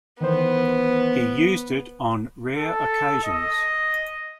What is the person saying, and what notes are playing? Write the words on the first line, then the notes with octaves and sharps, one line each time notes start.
He used it on rare occasions.
D#3 E3 B3 C5
A4
D#5